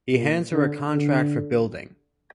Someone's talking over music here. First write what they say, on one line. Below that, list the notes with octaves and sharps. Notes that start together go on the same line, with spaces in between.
He hands her a contract for building.
A#2
D3
D3